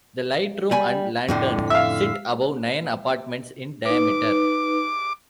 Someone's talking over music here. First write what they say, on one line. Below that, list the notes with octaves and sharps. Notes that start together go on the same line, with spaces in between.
The lightroom and lantern sit above nine apartments in diameter.
G3 G#5 B5
F2 A2 D3
E5 F5
D#4 B4 D6